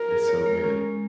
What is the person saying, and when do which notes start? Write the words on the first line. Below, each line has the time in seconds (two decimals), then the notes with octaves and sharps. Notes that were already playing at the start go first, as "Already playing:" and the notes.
it's so good.
Already playing: A#4
0.10 G#4
0.28 C#5
0.46 G#3
0.64 C#4
0.81 G#3